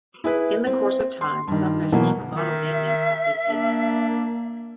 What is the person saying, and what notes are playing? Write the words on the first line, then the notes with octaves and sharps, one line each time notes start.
In the course of time some measures for model maintenance have been taken.
E4 G#4 B4
C4
C6
G2 D#3
B2 E3 F#3 A#3 B3
D#3 E5
A#3 D4